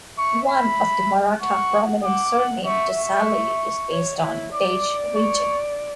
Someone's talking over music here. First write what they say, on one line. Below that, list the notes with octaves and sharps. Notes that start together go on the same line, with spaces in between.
One of the Maratha prominent surname 'Desale' is based on 'Desh' region.
E5 C#6
B5
F#5 C#6
F#5 D6
F#5
E5 C#6
C#6
C#5
E4
D5 D6
C#6